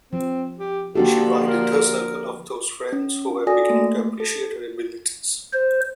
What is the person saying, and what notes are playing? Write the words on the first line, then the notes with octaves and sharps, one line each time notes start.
She widened her circle of those friends who were beginning to appreciate her abilities.
F3 C4
G4
D3 F3 A#3 D4 F#4 G4 A4
A#4
C#4
D4
F#4 A4 D5 G#5 D#6 A#6
A3 A#3
A4
C5